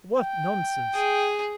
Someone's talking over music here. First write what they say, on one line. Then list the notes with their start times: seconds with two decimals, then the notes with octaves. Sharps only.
"What nonsense!"
0.17 G5
0.94 G#4